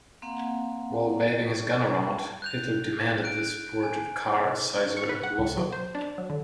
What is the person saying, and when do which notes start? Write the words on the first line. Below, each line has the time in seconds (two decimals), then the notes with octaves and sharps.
While waving his gun around, Hitler demanded the support of Kahr, Seisser, and Lossow.
0.22 A#3 C4 F5 F#5
2.42 F#6 G6 F7
3.24 F#6 D7
3.83 G#5
4.97 C#6
5.09 B4
5.23 F#5
5.38 C#2
5.57 F#3
5.72 C5
5.95 D4
6.18 F#3
6.30 D3